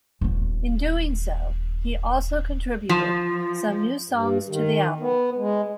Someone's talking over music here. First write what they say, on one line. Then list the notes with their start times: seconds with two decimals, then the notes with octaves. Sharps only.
In doing so, he also contributed some new songs to the album.
0.21 D#1 B3
2.89 F3
4.10 G2
4.48 D#3
5.00 B3
5.37 G#3